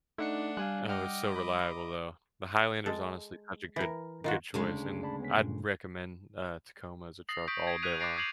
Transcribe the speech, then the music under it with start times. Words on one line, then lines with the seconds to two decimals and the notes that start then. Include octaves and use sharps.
Oh, it's so reliable, though. The Highlander's honestly such a good good choice, and I'd recommend, uh, Tacoma as a truck all day long
0.18 A3 D4 D#4 F#5 C#7
0.57 G3 F5 G#5 F#6
0.89 D#5 F#5 G5 D6 F6
1.36 B5
2.86 G#3 A4
3.76 E3 A#4
4.24 D#3 F4 F#4
4.54 D2 C#3 G#3
5.03 D5 A5 B5
5.20 B3 C#4 B6
5.38 G2 A#2
7.29 D#6 A6 A#6 C7 F#7
7.48 C#6 D#6 G6 A#6 B6 D7
7.67 G#6 A#6 B6 D7
7.82 D#6 F#6 G#6 B6 D#7 F7
8.00 D6 F#6 A6 A#6 C7 D7
8.17 D#6 G6 G#6 C7 F7 F#7